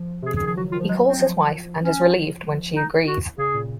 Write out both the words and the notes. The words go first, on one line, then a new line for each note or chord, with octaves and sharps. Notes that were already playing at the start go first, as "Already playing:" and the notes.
He calls his wife and is relieved when she agrees.
Already playing: F3
C3 G#4
C#3
G#4
D#3
F3 G#4
F#3 F#4
D#3 F4
F3
F#3 G#3
C4
F3
C#4
D#4
F#4
C#3 G#4
A#2